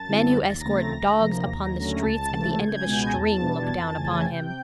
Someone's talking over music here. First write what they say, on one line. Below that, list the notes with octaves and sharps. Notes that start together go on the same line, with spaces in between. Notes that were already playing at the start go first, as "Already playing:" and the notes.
Men who escort dogs upon the streets at the end of a string look down upon him.
Already playing: F#2 A5 A6
D3 G3 C4 E4
D#2 A#6
A6
C#3 F3 A3 C4 A#5 A#6
D2
C3 F3 A#3
D#2
D3 F#3 A3 C#4
C#2 A5 A6
C3 E3 A3
C#2 G#6
G6
G#5 G#6
B2 G#3 B3
A#6
E2 A5 A6
B2 G3 B3 D4
G#6
F2 A5 A6
C#3 E3 A3 C#4 G#5 G#6
C3 G5 G6